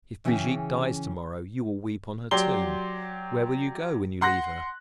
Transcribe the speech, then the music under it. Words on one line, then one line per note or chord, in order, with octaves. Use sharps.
If Brigitte dies to-morrow you will weep on her tomb; where will you go when you leave her?
C#3 E3 C#4 G#4 G5
F#3 G4 D5 C6 G7
F#5 C6 F#6 A#6